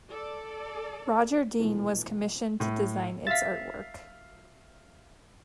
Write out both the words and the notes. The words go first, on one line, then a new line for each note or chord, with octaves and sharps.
Roger Dean was commissioned to design its artwork.
A4 D5
A#1 E2 B2 E3 A3
A2
E5 F5 A6 B6